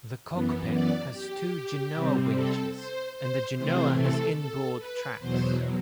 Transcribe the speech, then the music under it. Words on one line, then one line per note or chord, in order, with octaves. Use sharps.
The cockpit has two genoa winches and the genoa has inboard tracks.
F#2 E3 B3
D5
G4
C3 G3 C4
A4
C5
C5
C3 E3 A3 C4 C5
A4
A4
B4
E2 B2 F#3 C5